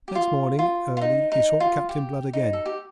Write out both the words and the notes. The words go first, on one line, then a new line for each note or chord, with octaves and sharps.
Next morning early he sought Captain Blood again.
G4
F4
F4
F4
D#4
D#4
F4
G4
D#4
A4
G4